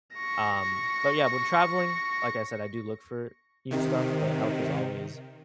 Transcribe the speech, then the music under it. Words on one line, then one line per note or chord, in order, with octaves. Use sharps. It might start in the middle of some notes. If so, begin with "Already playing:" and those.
Um, but yeah, when traveling, like I said, I do look for new stuff, but health is always
C#6 A#6
C3 D#3